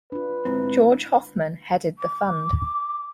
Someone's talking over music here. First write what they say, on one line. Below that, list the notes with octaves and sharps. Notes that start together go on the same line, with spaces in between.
George Hoffman headed the fund.
D4 F4 B4
G#2 C4 E4
D6